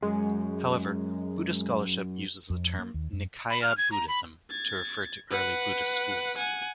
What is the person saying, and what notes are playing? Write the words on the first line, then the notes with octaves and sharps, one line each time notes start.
However, Buddhist scholarship uses the term "Nikaya Buddhism" to refer to early Buddhist schools.
F#2 G#3
F2
A#3
D#2
F#2
B5
F6
G#6
A#5
B5
G#6 A6
B4 F#5
F#5 G#5